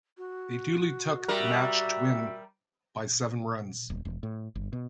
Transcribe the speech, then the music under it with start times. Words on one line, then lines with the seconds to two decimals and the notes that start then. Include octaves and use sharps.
They duly took the match to win by seven runs.
0.18 F#4
1.28 G3 A#4 E5
3.90 D#1
4.05 E1
4.23 A2
4.55 G1
4.73 B2